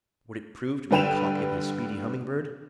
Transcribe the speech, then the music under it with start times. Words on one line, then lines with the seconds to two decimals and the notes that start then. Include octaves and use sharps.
Would it prove to be a copy of his speedy Humming-Bird?
0.91 G2 D3 B4 G5 E7 F7